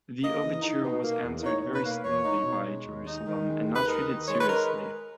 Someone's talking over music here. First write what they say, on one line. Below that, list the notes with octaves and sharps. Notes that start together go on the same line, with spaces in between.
The overture was answered very slowly by Jerusalem and not treated seriously.
A#3 D#5
E2
D#4
B2
A#3
E2
D#4 C#5
B2
B4
A#3
E2 C#5
D#4
B2
G#3
D#2
D#4
D#3
G#3
D#2
B4
D#4 A#4
D#3
G#3 C#5
B4
A#4